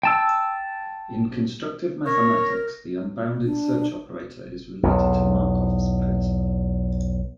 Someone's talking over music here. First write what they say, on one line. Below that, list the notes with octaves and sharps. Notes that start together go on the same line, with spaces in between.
In constructive mathematics, the unbounded search operator is related to Markov's principle.
G5 A5 E6
A#4 C#5
D4
B1 E2